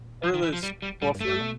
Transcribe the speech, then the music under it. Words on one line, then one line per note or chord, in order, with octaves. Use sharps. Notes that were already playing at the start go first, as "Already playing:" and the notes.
Furthest well, fur
Already playing: A#2
F3
D#3
E3
F3
G3
G3
A2 G3
G2
A3
G2
B2